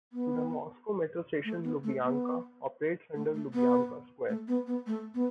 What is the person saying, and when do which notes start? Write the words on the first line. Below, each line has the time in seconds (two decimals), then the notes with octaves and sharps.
The Moscow Metro station Lubyanka operates under Lubyanka Square.
0.13 B3
1.45 A3
1.63 B3
1.84 A3
2.02 B3
3.16 A3
3.34 A3
3.53 B3
4.29 A3
4.48 B3
4.67 B3
4.86 A3
5.14 B3